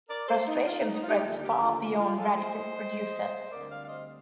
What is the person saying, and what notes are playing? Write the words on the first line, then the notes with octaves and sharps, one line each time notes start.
Frustration spreads far beyond radical producers.
A#4 D5
A4 C5
D#4
F4
D#4
D#4
F4
D#4 G4
D#2 D3 F3 A#3 D4 F4 A4
G4 A#4
F4 A4
F4
F4
F4 A4
C5 D#5
D2 D3 G3 C4 A#4 D5
D5 F5
F5
C5 D#5